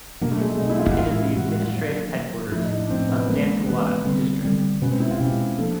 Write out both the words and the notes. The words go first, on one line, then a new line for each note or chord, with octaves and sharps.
It is the administrative headquarters of Dantewada District.
B2 F#3 A#3 B3 D4
A3
G#3
A3
B2 F#3 B3 D4 D#4
E4
F4
F#4
A2 E3 G#3 F4
E4
E4
A2 E3 G#3 F#4
F#4
F4
D#3 F#3 A#3
D#3 F#3 A#3
A2 F3 A3 E4
D#4
D4
A2 F3 A3 C4
B3
E3 G#3 A#3 C#4
E3 G#3 B3 C#4
D3 G3 C4
D3 G3 C4
B2 G#3 B3 C#4
C4
E4
F4
B2 G#3 C#4 G4
F3 A#3 D4 A4